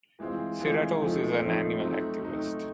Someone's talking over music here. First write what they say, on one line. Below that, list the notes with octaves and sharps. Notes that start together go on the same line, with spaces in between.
Serratos is an animal activist.
E3 G#3 C4 F4
E3 G#3 C4 F4
F3 A3 C4 D#4
F3 A3 C4 D#4
F#3 A3 C4 D#4
F#3 A3 C4 D#4